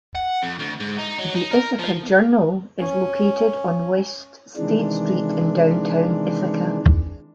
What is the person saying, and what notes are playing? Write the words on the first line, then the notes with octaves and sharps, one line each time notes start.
"The Ithaca Journal" is located on West State Street in downtown Ithaca.
F#5
F2
D2
G#2
D#4
F#3
D#4
A#4
F3
C#4
C3 D#3 E3 G#3 D4